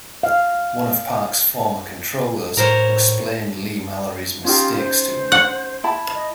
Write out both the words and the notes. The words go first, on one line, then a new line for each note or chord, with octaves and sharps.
One of Park's former controllers explained Leigh-Mallory's mistakes to him.
F5
A2 A#4 C5 C#5
C#4 D#4 F4 G4
C5
F#5
E4 A5 B5
D#5